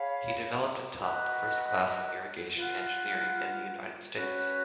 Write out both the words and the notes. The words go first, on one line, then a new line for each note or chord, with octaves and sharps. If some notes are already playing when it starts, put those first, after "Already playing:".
He developed and taught the first class on irrigation engineering in the United States.
Already playing: G#4 C#5 F5 B5
F#4 B4 D#5 A#5
F4 B4 F#5
C#4 F#4 B4